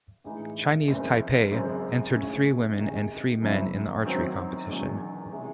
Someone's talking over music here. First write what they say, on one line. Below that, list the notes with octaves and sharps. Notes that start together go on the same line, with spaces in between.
Chinese Taipei entered three women and three men in the archery competition.
A2 E3 G#3 D#4
F#1 F#2 E3 G#3 C4
G#1 F#2 C#3 G#3 C4
A2 G#3 C#4
C3 D#3 G#3 D#4 G#4
F#2 C#3 F#3 C4 E4
F#2 D#3 F#3 C4 F#4
E1 E2 D#3 F#3 C#4
C3 E3 G#3